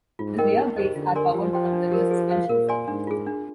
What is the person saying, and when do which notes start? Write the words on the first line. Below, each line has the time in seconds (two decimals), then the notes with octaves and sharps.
The rear brakes are powered from the rear suspension circuit.
0.19 G#2 F4
0.38 A#4 D#5 G5
0.57 D#4
0.76 G4 C5 D#5
0.96 D3 F4
1.15 A#4 D5 G#5 C6
1.34 F3 G4
1.53 C5 G5 C6
1.73 D4
1.92 G4 A#4
2.11 G#4
2.30 C5 F5
2.49 A#2 A#4
2.69 D5 G#5 C6
2.88 G#2 D4
3.07 F4 G#4
3.27 D4